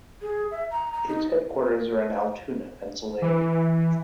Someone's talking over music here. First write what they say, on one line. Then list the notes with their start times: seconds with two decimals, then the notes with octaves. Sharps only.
Its headquarters are in Altoona, Pennsylvania.
0.22 G#4
0.51 E5
0.71 A#5
0.93 A#5
1.08 D#4
3.22 E3